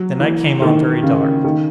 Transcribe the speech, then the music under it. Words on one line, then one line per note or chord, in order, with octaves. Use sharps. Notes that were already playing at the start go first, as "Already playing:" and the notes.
The night came on very dark.
Already playing: F#3
E3
D#3
C#3
D#3